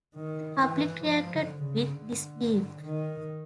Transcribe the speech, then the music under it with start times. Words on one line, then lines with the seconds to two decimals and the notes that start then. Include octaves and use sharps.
The public reacted with disbelief.
0.15 D#3
0.60 E3
1.04 F3
1.34 D3
1.63 C#3
1.92 D3
2.81 D#3